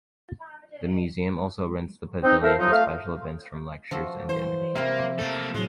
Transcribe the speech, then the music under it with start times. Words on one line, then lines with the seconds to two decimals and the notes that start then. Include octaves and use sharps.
The museum also rents the pavilion to special events from lectures to dinners.
2.24 C4 D#4
2.43 E4 A4 A#4 C5 E5 F5
2.59 F3 F#3 D#4
2.72 A3 F5
3.91 F3 F#4 A4
4.29 E3 C5
4.75 C3 A#3 E4 F4 E5
5.18 A3 A#3 A4
5.54 A2 F#3 G#3